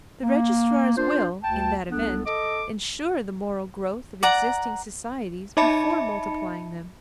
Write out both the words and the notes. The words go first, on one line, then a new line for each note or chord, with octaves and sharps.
The registrars will, in that event, ensure the moral growth of existing societies before multiplying them.
A#3
D4 F4 C5
D2 G5 A5
C2 B3 D4 A4
A4 D#5 D6
D5 F#5 A#5
D#4 D#5 E5 A5 B5 C#7